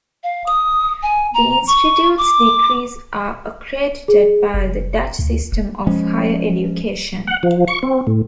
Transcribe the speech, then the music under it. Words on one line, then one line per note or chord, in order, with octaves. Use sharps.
The institute's degrees are accredited by the Dutch system of higher education.
F5
D#6
G#5
A#5
C#6
D6
G#4
F1
D2
D#1
F3 G#3 C#4
F#5
F3
C#6
C4
A2